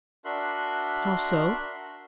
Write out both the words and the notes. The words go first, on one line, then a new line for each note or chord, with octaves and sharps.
"How so?"
D4 F#4 A#4 E5 C6 F#6